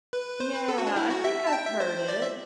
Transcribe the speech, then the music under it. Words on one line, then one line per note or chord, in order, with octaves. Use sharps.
Yeah, I think I've heard it.
B4
C5
B4
A4
F#4
D4
E4
F#4
E5
A5
G5
E5
C5
D5
E5